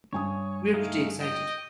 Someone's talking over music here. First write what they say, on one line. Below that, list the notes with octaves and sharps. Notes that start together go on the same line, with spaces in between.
We're pretty excited.
G2 C#5 G#5 D#6
A3 D#4 F5
D#5 G5